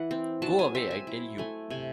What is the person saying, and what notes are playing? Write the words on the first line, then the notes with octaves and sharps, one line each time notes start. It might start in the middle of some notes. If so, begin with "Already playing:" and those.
Go away, I tell you.
Already playing: E3 E4 F#5
C4
F#3 A5
G#5
C4 E5
G#5
E4
A3 G#5
C3 G#5